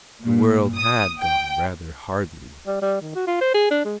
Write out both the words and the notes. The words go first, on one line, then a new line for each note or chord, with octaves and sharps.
The world had gone rather hardly with her.
A#2
D#6
G5
G3
G3
D#3
F#4
F4
C5
G#4
D4
G#3